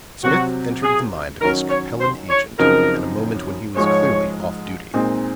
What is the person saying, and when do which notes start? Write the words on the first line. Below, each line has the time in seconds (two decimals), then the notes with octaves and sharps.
Smith entered the mind of his Capellan agent at a moment when he was clearly off duty.
0.24 C3 F#3 C4 F#4
0.83 G#4
1.40 D#3 F#3 C#4 A#4
1.70 C#5
2.00 C5
2.30 C#5
2.59 F#2 C#3 F3 C4 D#4 A#4
3.76 G#2 F3 G#3 C#5
4.94 A#2 G#3 C4 D#4